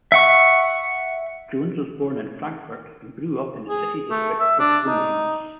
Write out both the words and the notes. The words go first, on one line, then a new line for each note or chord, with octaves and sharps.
Jones was born in Frankfurt and grew up in the city district of Bonames.
E5 F#5 C#6
G#4
A3
E5
D4
D#4